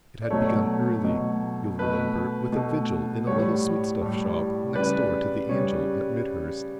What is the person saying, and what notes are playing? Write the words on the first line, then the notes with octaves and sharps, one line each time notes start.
It had begun early, you will remember, with a vigil in a little sweetstuff shop next door to the Angel at Midhurst.
D5
B2 F#3 A3 C#5
B2 F#3 A3
B2 A3 B4
B2 A3
A2 G3 C#5
A2 G3
C#3 G3 B4 D5
C#3 G3 C#5